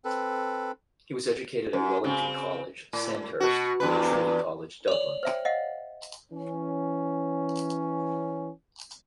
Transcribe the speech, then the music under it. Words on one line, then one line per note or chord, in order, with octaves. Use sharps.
He was educated at Wellington College, Sandhurst and Trinity College, Dublin.
C4 A4 B4
F#2
C#3 C4
A2
B2 F#4
E2 G2 B4
C#5 D5
C5 E5 G5
D#5 F5 F#5
E3 C#4